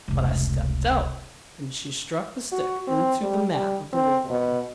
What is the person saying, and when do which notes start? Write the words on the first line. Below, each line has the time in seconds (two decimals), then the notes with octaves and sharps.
But I stepped out, and she struck the stick into the mat of the wigwam.
0.08 F1 C#2
2.52 F#4
2.87 C4
3.21 G3
3.51 G3
3.93 C4
4.31 B2